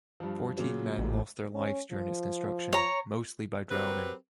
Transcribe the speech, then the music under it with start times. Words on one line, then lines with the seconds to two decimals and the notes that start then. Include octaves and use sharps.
Fourteen men lost their lives during its construction, most by drowning.
0.20 G2 F3
0.57 A#2 C#3 F#3
0.98 A1
1.55 C#4
1.92 F3
2.73 C#5 A#5
3.70 F#3 C4 G4 A#4 B4